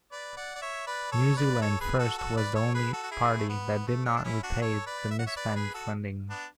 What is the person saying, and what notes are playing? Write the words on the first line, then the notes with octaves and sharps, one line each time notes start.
New Zealand First was the only party that did not repay the misspent funding.
B4 D5
D5 F#5
D5
C#5 E5
B4 D5
A4 C#5
B4 D5
B4
A4 C#5
G#4 B4
F#4 A4
F#4 A4
B4 D5
A4 C#5
G#4 B4
F#4 A4
F#4
E4 G#4
A3
B3
A3
C#4
D4
C#4 E4
D4 F#4
A4 C#5
B4 D5
E5
F#5
C#5 E5
B4 D5
G#4 B4
F#4 A4
B3 D4